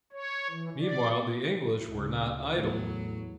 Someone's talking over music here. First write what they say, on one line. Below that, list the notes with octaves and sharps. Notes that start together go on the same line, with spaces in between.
Meanwhile, the English were not idle.
C#5
E3
D5
D2 C#3
E2 A2 F#3